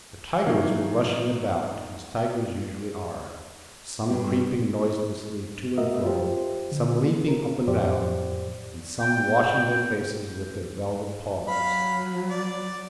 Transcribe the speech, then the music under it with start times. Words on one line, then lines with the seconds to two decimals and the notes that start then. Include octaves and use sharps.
The tigers were rushing about, as tigers usually are; some creeping noiselessly to and fro, some leaping up and down, and some washing their faces with their velvet paws.
0.47 D#3 E3 F#3 A3 A#3
4.10 G2
5.78 A3 F#4 A#4 D#5 E5
6.05 F4 G4 C5
6.72 D3
7.28 A#4
7.68 F2 A2 G4 C5 D5
9.00 G5
11.48 F#3 F5 B5
12.30 D5